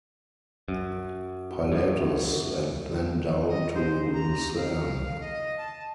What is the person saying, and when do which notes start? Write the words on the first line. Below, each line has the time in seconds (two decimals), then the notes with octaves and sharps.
Pilatus and then down to Lucerne.
0.68 F#2
1.72 F#2
3.49 D#5
3.74 C5
4.13 A#5
4.56 F5
5.21 D#5
5.58 A5